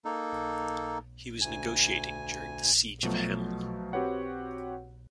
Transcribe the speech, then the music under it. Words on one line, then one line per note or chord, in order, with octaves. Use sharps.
He was negotiating during the "Siege of Hameln".
A#3 D#4 A4
D2 G#5
B2 F3 F#3 A3
C4 F#4 G4 B4 C#5 F#5